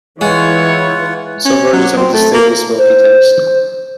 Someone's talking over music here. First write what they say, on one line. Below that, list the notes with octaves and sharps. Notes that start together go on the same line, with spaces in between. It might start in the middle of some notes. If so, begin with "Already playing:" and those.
Some versions have a distinctly smoky taste.
E3 G#3 F4 C#5 F#5
C#4
F#3
C4
A3
A#3
C5